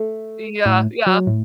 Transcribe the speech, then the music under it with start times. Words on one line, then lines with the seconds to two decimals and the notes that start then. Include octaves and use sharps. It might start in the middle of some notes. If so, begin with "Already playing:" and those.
Yeah, yeah.
Already playing: A3
0.66 A2
1.06 F#3
1.27 A2